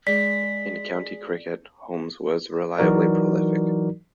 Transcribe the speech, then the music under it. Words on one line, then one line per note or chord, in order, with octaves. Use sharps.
In county cricket, Holmes was reliably prolific.
G#3 D5 B6
E3 F#3 D#4 F#4 A#4 D5